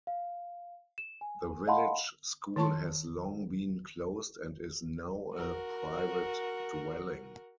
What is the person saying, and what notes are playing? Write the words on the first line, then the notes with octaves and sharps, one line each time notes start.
The village school has long been closed and is now a private dwelling.
F5
E7
G#5
D#5 F5 F#5 A5 B5 C6
D#3 C#5 A5 C6 C#6
F#4 A#4